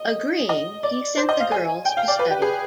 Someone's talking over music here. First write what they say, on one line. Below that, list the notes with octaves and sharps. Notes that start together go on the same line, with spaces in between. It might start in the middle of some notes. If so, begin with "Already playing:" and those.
Agreeing, he sent the girls to study.
Already playing: D#5
D#5
D5
C5
D#5
F5
G#5
G5
F5
D5
B4
G4
G#4